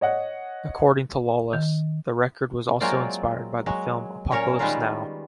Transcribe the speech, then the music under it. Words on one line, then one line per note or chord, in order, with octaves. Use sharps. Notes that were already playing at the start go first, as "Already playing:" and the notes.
According to Lawless the record was also inspired by the film "Apocalypse Now".
C#5 D#5 F#5
D#3
F#3 G#3 A#3 C4 F4 D5
F#3 G#3
A#2 C#4 A#4 C#5
D#3 G3 G#3 B3 F4 A#5